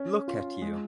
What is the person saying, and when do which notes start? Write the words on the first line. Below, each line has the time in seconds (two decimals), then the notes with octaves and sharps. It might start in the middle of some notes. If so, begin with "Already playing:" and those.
Look at you.
Already playing: C#4
0.28 F4
0.62 G#3